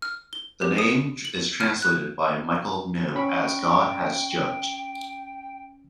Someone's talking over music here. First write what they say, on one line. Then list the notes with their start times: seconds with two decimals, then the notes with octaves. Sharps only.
The name is translated by Michael Knibb as "God has judged".
0.02 F6
0.33 G7
0.62 G4
0.78 D#6
1.25 F#7
1.61 F6
1.82 F#6
3.15 C#4 G5 B5 C#6